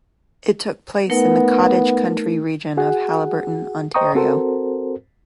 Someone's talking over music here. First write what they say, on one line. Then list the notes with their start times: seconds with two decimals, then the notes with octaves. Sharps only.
It took place in the cottage country region of Haliburton, Ontario.
1.10 A3 B3 D#4 A#4
2.77 F#4 G#4 F#5
3.94 C5 D#5 G5 A#5 C#6 D#6
4.15 C4 F#4 A4 A#4 C5